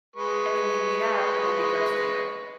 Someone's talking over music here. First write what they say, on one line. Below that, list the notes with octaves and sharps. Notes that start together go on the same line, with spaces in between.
and then you meet up, and then they ghost you,
G#3 B4 C#6